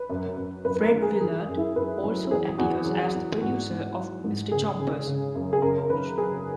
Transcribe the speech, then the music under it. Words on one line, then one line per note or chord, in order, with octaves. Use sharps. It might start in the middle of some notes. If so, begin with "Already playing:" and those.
Fred Willard also appears as the producer of Mr. Chompers.
Already playing: B4
F#2
F#2
F#2 B4
B4
A#4
D#3
G#4
D#3 G#4
F#2
E4
F#2 B4
F#3
E2 G#4
E2 F#4
F#3
E2
G#2 F#4
G#2
F#3
G#2
C#3 G#4
C#3
C#3
F#2
G#4
F#2 A#4
A#4
D#3 B4
F#3 G#4